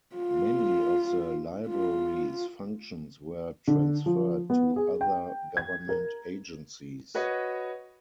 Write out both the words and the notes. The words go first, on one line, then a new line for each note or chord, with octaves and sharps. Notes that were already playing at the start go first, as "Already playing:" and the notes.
Many of the Library's functions were transferred to other government agencies.
F4
F4
D3
F3
B3
G#4
G5
G#6
A#4
F#4 B4 C#5 D#5